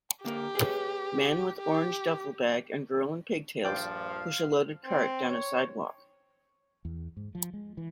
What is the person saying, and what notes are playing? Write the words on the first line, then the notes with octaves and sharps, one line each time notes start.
Man with orange duffel bag and girl in pigtails push a loaded cart down a sidewalk.
D3 A#3 G4 A#4
G#4 B4 C#5
G4
A#1 G2 F3 D5 F5 G5
C4
C#5
E2
G#2
F3
G#3
E3